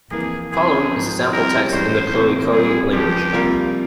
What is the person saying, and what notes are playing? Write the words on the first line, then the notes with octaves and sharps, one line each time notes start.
Following is a sample text in the Khoekhoe language.
F2 E3 A#3 G#4
C2 C3 E3 G#4
G#2 F3 C4
C3 G3 C4 E4 G4 A#4
G2 E3 G#3 C#4 C5
E2 C3 E3 A#3
C3 G3 A#3 G#4
C#2 C#3 F3 G4
C3 G3 A#3 F4 A#4